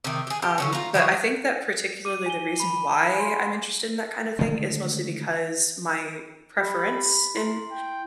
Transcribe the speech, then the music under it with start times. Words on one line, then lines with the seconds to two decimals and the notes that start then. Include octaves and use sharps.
Um, but I think that particularly the reason why I'm interested in that kind of thing is mostly because my preference in
0.04 C3 D#3
0.27 G4 G#4
0.42 G4
0.58 D3 F#3 C#4
0.73 F4 A#5
0.94 E3 F3 G#4 C#5
2.05 D6 D#7
2.26 G#5 G7
2.60 B5
3.16 G#5 C6
4.39 D3 D#3 G#3 A3
6.59 G4 B5
7.35 E4 C6
7.71 G5